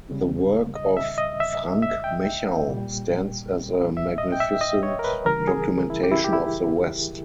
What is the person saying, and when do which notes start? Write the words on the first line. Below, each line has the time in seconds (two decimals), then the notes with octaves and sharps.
The work of Frank Mechau stands as a magnificent documentation of the West.
0.11 C#3 G3
0.75 D#5
0.97 E5
1.18 D#5
1.40 E5
1.82 E5
2.04 G5
2.68 A#2 G3
3.97 E5
4.18 D#5
4.32 G5
4.40 E5
4.61 D#5
4.83 C#5
4.99 A#4
5.04 B4
5.25 C#3 E3 G3 A#4
5.48 G#4
5.90 E4
6.03 G4
6.11 E4
6.24 G4
6.33 E4